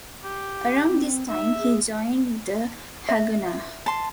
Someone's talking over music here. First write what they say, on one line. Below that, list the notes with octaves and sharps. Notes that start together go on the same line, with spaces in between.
Around this time, he joined the Haganah.
G4
C4
D#4 E5
G#4
E5
A5 C6